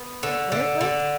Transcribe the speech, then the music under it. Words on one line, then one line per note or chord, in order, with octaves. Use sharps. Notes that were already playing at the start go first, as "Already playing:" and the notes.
"Where it went?"
Already playing: B3
D3
D3
D3